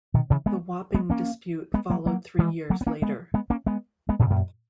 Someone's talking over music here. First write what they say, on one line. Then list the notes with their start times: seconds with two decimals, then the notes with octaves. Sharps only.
The Wapping dispute followed three years later.
0.14 B2 D#3
0.30 C#3 E3
0.46 G#3 B3
0.94 G#3 B3
1.10 A#3 C#4
1.74 G#3 B3
1.90 F#3 A#3
2.06 F#3 A#3
2.39 E3 G#3
2.70 F#3 A#3
2.81 B3
2.87 A#3 C#4
3.02 G#3 B3
3.34 G#3 B3
3.50 A#3 C#4
3.67 G#3 B3
4.09 G#3 B3
4.19 A#2 C#3
4.30 F#2 A#2